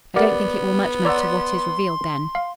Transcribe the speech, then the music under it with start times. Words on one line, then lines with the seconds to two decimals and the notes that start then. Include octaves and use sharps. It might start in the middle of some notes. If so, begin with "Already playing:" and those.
"I don't think it will much matter what is revealed then."
0.16 B3 G4 A#4 D5 F#5
1.05 C#5 D5 F#5 A#5 C6 E6
2.35 F5